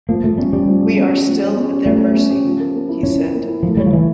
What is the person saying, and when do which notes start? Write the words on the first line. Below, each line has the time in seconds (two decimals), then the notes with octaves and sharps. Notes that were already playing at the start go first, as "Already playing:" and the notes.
"We are still at their mercy," he said.
0.09 F3 A#3
0.24 F3 A3
0.38 G3 C#4
0.53 G3 G4
0.68 F3
0.82 F3
0.98 C#4
1.13 G4
1.27 F3
1.41 C#5
1.56 C#4
1.71 G4
1.86 F3 A3
2.01 C#5
2.15 C#4
2.30 G4
2.45 F3
2.59 A#4
2.74 A#3
2.89 E4
3.03 F3 C#4
3.18 A#4
3.33 A#3
3.48 E4
3.63 F3 A3
3.77 G3 C#5
3.86 F3
3.92 E3 E4